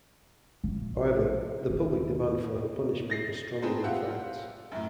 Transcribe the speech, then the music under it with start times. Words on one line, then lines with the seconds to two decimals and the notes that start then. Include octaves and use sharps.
However, the public demand for her punishment was stronger than facts.
0.64 A#1
1.70 D#2
3.10 A6 A#6 C7
3.62 C4 D#4 G#4 A4 B4 C5
3.84 F4 G4 E5 F#5
4.72 F#2 A2